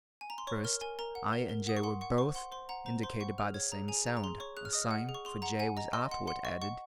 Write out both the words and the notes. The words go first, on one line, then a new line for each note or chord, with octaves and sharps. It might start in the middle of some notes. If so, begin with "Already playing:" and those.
At first i and j were both indicated by the same sound; a sign for j was afterward added.
G#5
A#5
C6
C#5 C#6
A#4 F6
A#4 G#5
A#4 A#5
F#5
A#4
A#4
F#5 D#6
C#6
F#5 C6
F#5 C#6
C5 C#6
F#5 C6
C5 C6
F#5 A#5
C5 A#5
C5 C6
F#5 C#6
G#4 F6
C#5 G#6
G#4 A#5
G#4 G#5
G#4 A#5
A#5
G#4 C6
C#5 C#6
G#4 F#6
F6
D#5 D#6
F6
F#5
G#4
C#6
G#4 C6
F#5 A#5
F#5 G#5
D#5 A#5
D#5 C6
F#5 C6
F#5 C6
D#5 C#6
F#5 C#6